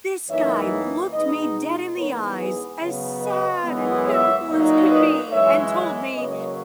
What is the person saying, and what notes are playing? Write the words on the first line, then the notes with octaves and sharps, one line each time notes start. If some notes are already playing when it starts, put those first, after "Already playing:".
this guy looked me dead in the eyes, as sad and pitiful as could be and told me,
F#2 E3 A#3 D#4 C#5 E5
B2 G#3 D#4 B4 D#5
G#2 E3 B3 A#4 C#5
G#4 B4
C#3 F#3 B3
B4 D#5
F#2 E3 G#3 B3
C#5 E5
A#2 F#3 A#3 D#4
B4 D#5
F#2 E3 G#3 C#5 E5
C#3 F#3 A#3 C#4 B4 D#5